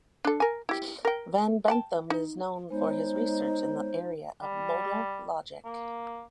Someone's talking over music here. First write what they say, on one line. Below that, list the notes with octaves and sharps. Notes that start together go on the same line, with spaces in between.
Van Benthem is known for his research in the area of modal logic.
D4 A4
A#4 G#5
E4 G4
A#4 G5
F#5 G5 A5
D#4
G#3 B3 D#4 C5 C#5
G3
A#3